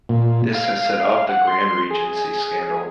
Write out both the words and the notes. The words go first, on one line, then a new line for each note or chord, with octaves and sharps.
This has set off the Grand Regency Scandal.
A#2
F5
F#5
C6
G#4